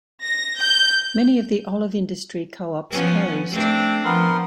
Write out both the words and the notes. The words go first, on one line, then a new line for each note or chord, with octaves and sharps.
Many of the olive-industry co-ops closed.
A#6
G6
F3 B3 C#4
A3 C4 D4
F3 B3 A#4 C6